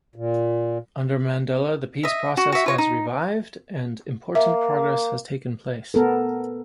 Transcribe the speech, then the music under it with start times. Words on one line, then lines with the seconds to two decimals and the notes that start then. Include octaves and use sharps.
Under Mandela the peace process has revived and important progress has taken place.
0.16 A#2
2.03 D#5 E5
2.37 F#4
2.52 F#4 E5
2.66 F4 C#5 D#5
2.78 D#4
4.35 A#3 E5
5.94 B3 A4 A#4